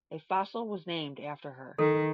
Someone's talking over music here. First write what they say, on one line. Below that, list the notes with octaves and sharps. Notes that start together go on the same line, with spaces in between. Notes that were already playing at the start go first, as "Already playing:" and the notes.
A fossil was named after her.
D#3 A4